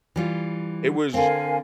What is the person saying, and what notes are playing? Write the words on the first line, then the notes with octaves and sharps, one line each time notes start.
it was
E3 G3 F4
D3 C4 A#4 F5 G#5